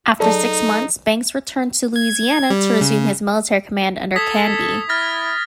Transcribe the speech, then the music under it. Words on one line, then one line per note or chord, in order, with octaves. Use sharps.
After six months, Banks returned to Louisiana to resume his military command under Canby.
F#3 D#4 G#4 A4 D5
G#6
G3
C#3
A4 D#6 G#6 B6
E4 F6 A6 A#6